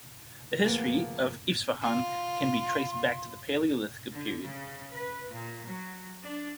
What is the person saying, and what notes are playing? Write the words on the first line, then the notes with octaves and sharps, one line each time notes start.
The history of Isfahan can be traced back to the Palaeolithic period.
D2 F3 A#3 B3 G#4 F5
F4 C6
D3
C#3
B4
A#2
F#3
D4